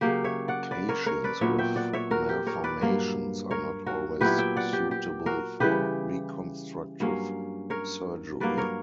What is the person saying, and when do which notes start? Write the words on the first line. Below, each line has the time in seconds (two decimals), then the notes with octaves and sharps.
Patients with malformations are not always suitable for reconstructive surgery.
0.01 C#3 F#3 A#3 G4
0.24 C#5 E5
0.48 D5 F#5
0.71 B4 D5
0.89 A#4 C#5
1.06 A#4 C#5
1.24 B4 D5
1.41 A#2 F#3 B3 C#5 E5
1.58 E5 G5
1.76 D5 F#5
1.93 C#5 E5
2.11 F#4 A#4
2.29 G4
2.46 A#4 C#5
2.64 B4 D5
2.81 G2 F#3 A#3
3.51 A#4 C#5
3.86 F#4 A#4
4.20 A#2 F#3 B3 E4 G4 B4
4.38 E5 G5
4.57 D5 F#5
4.73 G4
4.91 G4
5.26 F#4 A#4
5.60 C#3 E3 G3 G4 B4
7.00 G2 F#3 A#3 C#4
7.70 A#4 C#5
8.40 G2 F#3 A#3 B4 D5
8.58 A#4 C#5